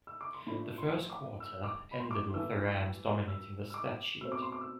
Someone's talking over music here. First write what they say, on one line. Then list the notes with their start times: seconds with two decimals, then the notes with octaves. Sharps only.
The first quarter ended with the Rams dominating the stat sheet.
0.07 E6
0.21 D6
0.34 C6
0.47 A2 F3 A3 D4 B5
0.78 C6
1.10 D6
1.40 E6
1.64 D6
1.91 B5
2.00 C6
2.11 D6
2.34 A2 E3 A3 E6
3.28 E6
3.70 E6
3.74 D6
4.21 B2 A3 C4 E6
4.32 D6
4.42 C6
4.52 D6
4.61 E6